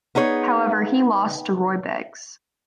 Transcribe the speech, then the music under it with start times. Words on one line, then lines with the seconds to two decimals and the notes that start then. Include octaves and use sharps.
However he lost to Roy Beggs.
0.15 B3 D#4 G#4 C#5